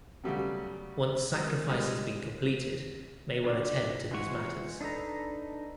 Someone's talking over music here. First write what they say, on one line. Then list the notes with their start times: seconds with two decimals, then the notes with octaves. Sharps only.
Once sacrifice has been completed, may one attend to these matters.
0.24 C#3 F#3 G3 A3 B3
1.33 F#3 G#3 C4 F#4
1.47 A#3
1.69 G3 G#3 A#3 F4
3.44 D3 F#3 F4 D5
4.11 E3 G#3 F4 F#5 C#6
4.81 D4 D#4 A4 B4 A#5